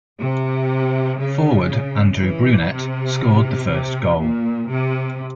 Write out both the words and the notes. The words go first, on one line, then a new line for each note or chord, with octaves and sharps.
Forward Andrew Brunette scored the first goal.
C3
C#3
E3
C3
C3
A#2
C3